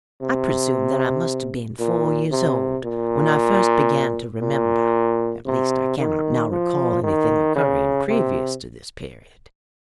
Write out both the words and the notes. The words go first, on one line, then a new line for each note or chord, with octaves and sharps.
I presume that I must have been four years old when I first began to remember; at least, I cannot now recall anything occurring previous to this period.
C3
A#2
C3
A#2
A#2
C3
D#3
F3
D#3
C#3
C3